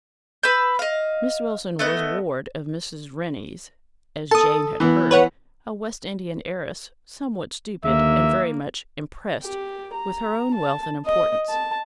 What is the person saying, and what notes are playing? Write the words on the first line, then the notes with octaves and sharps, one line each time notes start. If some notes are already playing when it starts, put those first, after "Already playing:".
Miss Wilson was ward of Mrs. Rennie's, as Jane had heard, a West Indian heiress, somewhat stupid, and very much impressed with her own wealth and importance.
B4 B5 E6 G6
D#5 F5
A3 B3 D#5
A4 A5 D#6
E3 B3
B4 C#5 F#5
D#2 D3 A#3 E5
G4
A#5
A5
D#5
A5